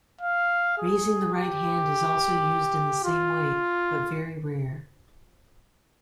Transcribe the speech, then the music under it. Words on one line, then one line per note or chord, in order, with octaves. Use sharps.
Raising the right hand is also used in the same way but very rare.
F5
G#4
G4
F4